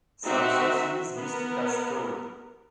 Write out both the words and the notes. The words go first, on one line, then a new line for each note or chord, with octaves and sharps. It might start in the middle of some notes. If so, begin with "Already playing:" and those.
Some sources list it as tall.
C4 D#4 F#4 E5
B3 A#4